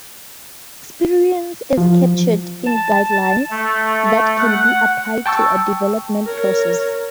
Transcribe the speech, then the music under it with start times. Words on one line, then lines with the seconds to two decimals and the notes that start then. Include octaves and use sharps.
Experience is captured in guidelines that can be applied to a development process.
1.78 F3
2.66 A5
3.50 A3
4.38 F#5
5.26 G5 A5 C#6 E6
6.27 A#4 C#5